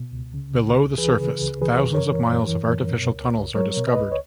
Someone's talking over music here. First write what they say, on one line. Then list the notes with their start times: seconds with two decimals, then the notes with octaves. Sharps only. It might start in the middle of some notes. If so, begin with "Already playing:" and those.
Below the surface, thousands of miles of artificial tunnels are discovered.
Already playing: B2
0.12 C#2
0.34 C#3
0.55 C#2
0.77 C#2
0.98 E3 G#4 B4
1.19 C#3
1.41 C#2
1.61 E3 G#4 B4
1.84 F#2
1.94 A#4 C#5
2.06 E3
2.27 F#2
2.48 E3
2.70 F#2
2.91 B2
3.13 C#2
3.33 C#2
3.55 F#3 A#4 C#5
3.77 B2
3.87 B4 D#5
3.98 C#2
4.12 C#5